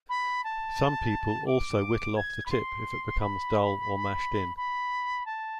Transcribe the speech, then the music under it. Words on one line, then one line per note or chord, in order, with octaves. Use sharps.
Some people also whittle off the tip if it becomes dull, or mashed in.
B5
A5
D6
G#6
B5
C6
B5
B5
A5